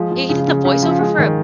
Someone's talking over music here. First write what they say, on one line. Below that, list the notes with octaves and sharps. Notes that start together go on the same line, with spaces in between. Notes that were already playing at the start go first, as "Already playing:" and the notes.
He he did the voiceover for a
Already playing: F3 G#3
F3
C#3
C#3
C#3
F3
G#3
D#3